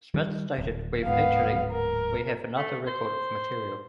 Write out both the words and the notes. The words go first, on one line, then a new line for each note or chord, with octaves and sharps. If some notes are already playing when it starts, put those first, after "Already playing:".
Smith stated We've actually, we have another record of material.
D#3 G3
D1
D1 G#2 B3 F5
A#4
A3
C5